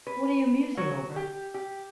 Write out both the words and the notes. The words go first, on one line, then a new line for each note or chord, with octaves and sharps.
"What are you musing over?"
B4
F#3
G4
G4